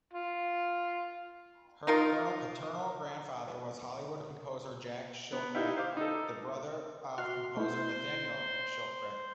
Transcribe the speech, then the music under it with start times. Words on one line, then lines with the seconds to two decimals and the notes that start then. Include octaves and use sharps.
Her paternal grandfather was Hollywood composer Jack Shilkret, the brother of composer Nathaniel Shilkret.
0.13 F4
1.87 D#4 F4 A#4
5.32 B3
5.54 D#4 E4 G4 E5 F5 G5
5.76 C5 F5 D6
5.97 D#4 A4
7.18 F#4 C6 F6
7.57 A3 E4 C5 C6